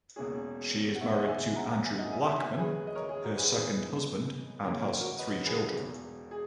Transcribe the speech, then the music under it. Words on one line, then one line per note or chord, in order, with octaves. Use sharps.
She is married to Andrew Lachman, her second husband, and has three children.
E1 E2 B2 A#3 C#4 G#4
F#5
C#5 E5
D#5 F#5
D#2 C#3 G#3 B3 E5 G#5
F#5 A#5
A#5
E5 G#5
D#5 F#5
E5 G#5
E5 G#5
E1 D#2 D#3 A#3 C#4 E5 G#5
G#4 B4
D#5
A#4 C#5
G#4
F#4 A#4
G#4 B4
G#2 E3 B3 D#4 G#4 B4
D#2 C#3 E3 A#3 C#4 A#4 C#5
F#4 A#4
F#4 A#4
B4 D#5
G#4 B4
E1 E2 B2
G#4